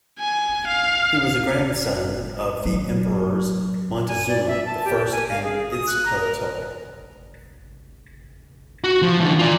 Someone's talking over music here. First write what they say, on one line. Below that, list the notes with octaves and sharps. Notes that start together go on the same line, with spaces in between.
He was a grandson of the Emperors Moctezuma the First and Itzcoatl.
G#5
F5
F#3
G#5
D5
E5
A5
G4
G#5
F5
G#4
D#6
F#6
A#5
A#4
F#4
F3
D3 E3
F4 D5